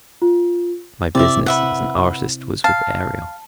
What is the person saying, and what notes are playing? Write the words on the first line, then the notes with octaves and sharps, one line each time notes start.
My business as an artist was with Ariel.
F4
C3 C4 E4 D5 E5
B4 E5 F#5
F5 A5